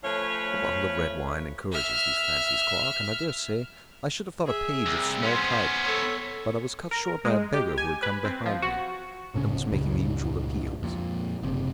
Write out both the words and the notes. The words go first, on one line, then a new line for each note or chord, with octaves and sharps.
A bottle of red wine encourages these fancies, Clarke, and I dare say I should have thought a page of small type, but I was cut short by a beggar who had come behind me, and was making the usual appeals.
F3 A3 C#4 B4 C#5 F5
E5 F6
G#4 E5
C2
B3 C#4 C5
A4 C#5
A#4
G#3
G4
G#5
B4
C4
F3
F#4
D1 A2 C#3 C#4
C#2 G2 A#2 C#3
F2 A#2
F#1 C3